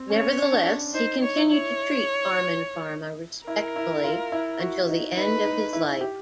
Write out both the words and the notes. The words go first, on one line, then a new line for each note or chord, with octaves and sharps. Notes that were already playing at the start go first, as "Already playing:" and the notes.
Nevertheless, he continued to treat Farman-Farma respectfully until the end of his life.
Already playing: C4
C#4 C#5
D4
D#4 C5
C#5
E4
C#5
E4 A#4
E4
F4
E4
F#4
D#4
D#4 B4
D#4
E4
G4